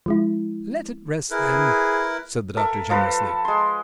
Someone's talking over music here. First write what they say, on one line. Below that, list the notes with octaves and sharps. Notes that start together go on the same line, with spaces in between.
"Let it rest then," said the doctor generously.
F3 G#3 E4
E4 G#4 A#4 B4
A4 A#4 E5
F3 A4 B4
G#3 C6